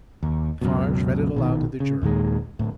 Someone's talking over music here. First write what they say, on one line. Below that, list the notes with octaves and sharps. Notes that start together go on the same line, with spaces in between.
Defarge read it aloud to the jury.
D#2
C#2 F#2 B2
A#1 B2 D#3
C#3
D#2 A#2 D#3 G#3
D1 A2